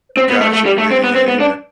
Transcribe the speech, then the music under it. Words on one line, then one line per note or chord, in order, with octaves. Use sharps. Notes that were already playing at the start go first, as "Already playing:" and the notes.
Gotcha, yeah, yeah, yeah.
C4
B3
A3
A3
G3
A3
C4
B3
C4
B3
D4